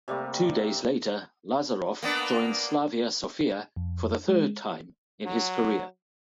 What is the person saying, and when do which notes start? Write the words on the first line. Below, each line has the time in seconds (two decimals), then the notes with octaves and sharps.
Two days later, Lazarov joined Slavia Sofia for the third time in his career.
0.08 C3 G3 A3 A#3
2.03 A#3 B3 D4
3.76 F2
4.29 G#3
5.26 F#3